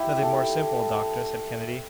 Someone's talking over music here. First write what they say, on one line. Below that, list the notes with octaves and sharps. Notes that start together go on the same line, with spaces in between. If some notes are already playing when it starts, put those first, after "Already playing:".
"Nothing more simple, doctor," said Kennedy.
Already playing: E4 G4
A4